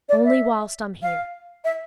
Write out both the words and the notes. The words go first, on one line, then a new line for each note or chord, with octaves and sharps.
'Only whilst I'm here.'
D5
E5
F5
E5